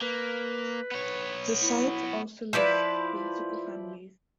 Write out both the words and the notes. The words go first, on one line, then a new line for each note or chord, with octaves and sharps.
The site also lists political families.
A#3 B4
B3 C#5
E4
F3 E4 B4 D5